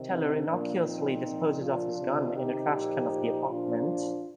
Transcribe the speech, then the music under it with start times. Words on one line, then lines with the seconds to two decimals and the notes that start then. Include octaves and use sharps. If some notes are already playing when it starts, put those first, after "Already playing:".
Teller innocuously disposes of his gun in a trashcan of the apartment.
Already playing: C3 D#3
0.08 C4 D#4
0.46 A#2 F3 A#3 D4
0.84 C4 D#4
1.22 A#2 F3
1.60 D4 F4
1.97 C3 D#3
2.35 D#4 G4
2.73 A#2 F3
3.48 A#2 F3 D4 F4